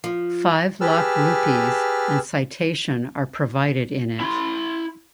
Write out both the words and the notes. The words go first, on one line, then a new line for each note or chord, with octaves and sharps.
Five lakh rupees and citation are provided in it.
F3
G4 G#4 B4 A5 E6 F6
E4 C6